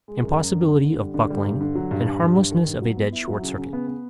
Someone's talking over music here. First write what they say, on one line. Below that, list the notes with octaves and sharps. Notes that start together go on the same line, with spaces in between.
Impossibility of "buckling" and harmlessness of a dead short-circuit.
G#3
F#2
F#2
D3
D3
D3
G3
D3
G3
G2
D3
F#3
G2
G2
G2
G2
D#3
G2
F#3
B3
E4
F#3
C#3
C#3
B3
B3